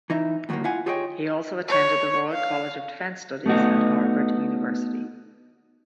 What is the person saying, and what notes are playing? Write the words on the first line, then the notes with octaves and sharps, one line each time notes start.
He also attended the Royal College of Defence Studies, and Harvard University.
E3 D#4 E5
D#2 A2 D3 F3 F#3 A#3
E4 F4 F5 F#5 G#5
F4 G4 G#4 C#5 D#5 G5
C#5
F5
A3 B3 D#4 F#4